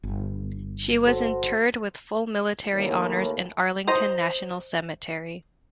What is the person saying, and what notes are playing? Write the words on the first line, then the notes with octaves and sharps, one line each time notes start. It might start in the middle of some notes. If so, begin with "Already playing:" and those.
She was interred with full military honors in Arlington National Cemetery.
G1
F#4 A4 C5
D#2 A2
C5 D#5 A#5